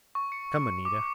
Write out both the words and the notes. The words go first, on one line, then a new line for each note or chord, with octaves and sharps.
"Come, Anita."
C#6
C#7
D6